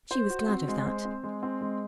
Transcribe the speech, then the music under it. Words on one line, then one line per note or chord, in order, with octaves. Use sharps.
She was glad of that.
C5
F#4
C4
G#3
C5
C4
G#3
C4
G#3